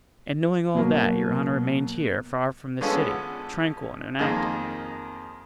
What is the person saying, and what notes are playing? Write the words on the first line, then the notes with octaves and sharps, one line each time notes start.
"And knowing all that, your honor remained here, far from the city, tranquil and inactive."
B2 F#3 A#3
D3 G#3 B3 C#4 F4 A4
F2 D#3 A#3 G#4 D#5